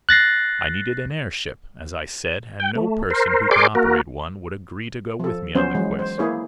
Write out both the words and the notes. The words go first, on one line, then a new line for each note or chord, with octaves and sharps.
I needed an airship, as I said, and no person who could operate one, would agree to go with me on the quest.
F#6 A6 A#6 C7
G5
A3
A#4 C5
G#4 A#4 C5 D5 C6 D6
A#3 F#4 A#4
F3 A4
F3 F#3 B3 C#4 C5
E3 F#3 G#3
C5
A#3 E4 G#4 B4 C#5